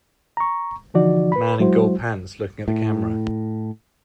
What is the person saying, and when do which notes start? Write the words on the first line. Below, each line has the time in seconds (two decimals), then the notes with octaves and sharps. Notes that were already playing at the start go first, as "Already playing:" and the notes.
Man in gold pants looking at the camera.
0.37 A#5 C#6
0.94 D3 E3 F3 D#4 F#4 D5
1.32 B4 B5
1.60 F#3 G#3 E4 F#4 C5
2.68 A2